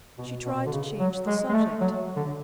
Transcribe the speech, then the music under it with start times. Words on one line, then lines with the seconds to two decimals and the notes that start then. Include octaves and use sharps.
She tried to change the subject.
0.18 B2
0.45 B2
0.66 D3
0.72 C#3
0.99 F#3
1.27 G#3
1.49 G#3
1.53 A3
1.81 F#3
2.16 D3